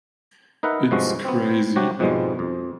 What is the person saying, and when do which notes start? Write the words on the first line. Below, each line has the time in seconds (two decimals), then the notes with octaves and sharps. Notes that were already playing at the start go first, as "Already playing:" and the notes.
It’s crazy.
0.63 D#4 A#4 B4 E5 F#5
0.91 G2 F3 G#3 F#4
1.25 B3 C4
1.76 C3 F#3 F#4 G4
1.99 F2 G#2 B2 F3 G3 G#3
2.39 F2